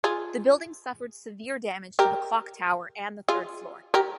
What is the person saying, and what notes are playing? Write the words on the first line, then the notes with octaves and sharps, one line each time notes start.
The building suffered severe damage to the clock tower and the third floor.
F4 G#4
G4 A#4
F4 G#4
G4 A#4